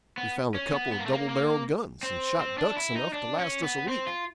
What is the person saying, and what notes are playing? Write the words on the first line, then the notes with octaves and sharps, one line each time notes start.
We found a couple of double-barrelled guns, and shot ducks enough to last us a week.
B3
C#4
B3
B3
A#3
A3
A#3
A#3
C4
C4
D4
E4
D#4
D4
C#4
B3
C4
F4